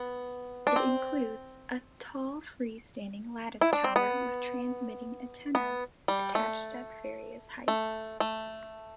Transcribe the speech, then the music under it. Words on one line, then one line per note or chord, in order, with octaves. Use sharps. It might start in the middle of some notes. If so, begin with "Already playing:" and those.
It includes a tall free-standing lattice tower with transmitting antennas attached at various heights.
Already playing: B3
D4
C4
E4
D4
C4
B3
B3
G3
A3
A3
A3